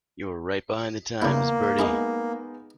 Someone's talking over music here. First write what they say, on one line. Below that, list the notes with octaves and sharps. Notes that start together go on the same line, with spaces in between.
You're right behind the times, Bertie.
E2 C#3 A#3 E4
G#3 B3 D#4 E4 G#4 D#5